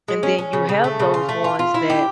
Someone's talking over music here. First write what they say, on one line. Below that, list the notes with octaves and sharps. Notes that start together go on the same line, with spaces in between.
and then you have those ones that
G#3
C#4
C#4
C#3
C#3
A3
C#3
F4
A3
F4
F4
E4
G4